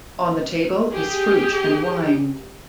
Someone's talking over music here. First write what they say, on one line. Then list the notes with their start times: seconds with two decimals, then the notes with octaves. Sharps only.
On the table is fruit and wine.
0.91 G4 G#4